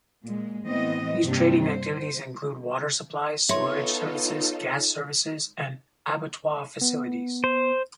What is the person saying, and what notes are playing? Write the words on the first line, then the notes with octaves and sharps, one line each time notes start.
These trading activities include water supply, sewerage services, gas services and abattoir facilities.
A#2 G#3
A2 E3 B3 C4 D#5
G2 C3 A#3 C4 D4 G4
C5
B3 D#4 F4 A4 C#5 E5 C6
B3
C5